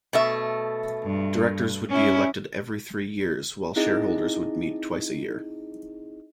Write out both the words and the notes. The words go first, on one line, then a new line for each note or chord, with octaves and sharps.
Directors would be elected every three years while shareholders would meet twice a year.
B2 A3 E5
G2
C#4 E4
C4 D#4 E4 G#4 D#5 A#6